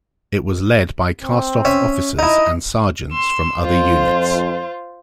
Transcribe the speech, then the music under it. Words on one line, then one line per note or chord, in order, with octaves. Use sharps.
It was led by cast-off officers and sergeants from other units.
C4
C#4 E5
D#4 E4 D#5
C6 E6
F2 F4 C5